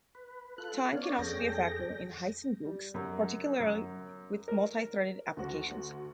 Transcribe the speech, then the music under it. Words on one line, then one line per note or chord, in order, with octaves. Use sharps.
Time can also be a factor in heisenbugs, particularly with multi-threaded applications.
B4
F4 A4 F#6
B3 C#4 C#5 D5 F5
F2 G#4 A4 G5 A#6
G3
F#2
F#2
A#4
D2 F#4